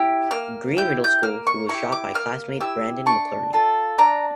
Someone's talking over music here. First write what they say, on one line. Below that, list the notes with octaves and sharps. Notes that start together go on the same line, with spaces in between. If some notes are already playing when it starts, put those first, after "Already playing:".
Green Middle School who was shot by classmate Brandon McInerney.
Already playing: E4 G4
A#3 F6
E4 G4 G6
G6
A#3 F6
C#6
E4 G4 C#6
D6
A#3 F6
E4 G4 E6
D4 C#6
F4 A4
D4 A#5